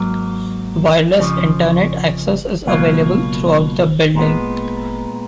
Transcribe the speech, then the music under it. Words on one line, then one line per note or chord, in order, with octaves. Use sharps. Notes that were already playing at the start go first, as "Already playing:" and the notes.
Wireless Internet access is available throughout the building.
Already playing: G#2 F#3 A#3
F2 C#3 F3
C#2 B2 F#3 A#3 F4
A#2 G#3 B3